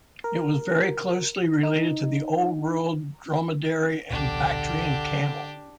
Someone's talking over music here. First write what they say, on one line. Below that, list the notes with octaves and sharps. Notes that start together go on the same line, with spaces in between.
It was very closely related to the Old World Dromedary and Bactrian camel.
A#4
D#4
D1 A#1 B2 D3 D4 G4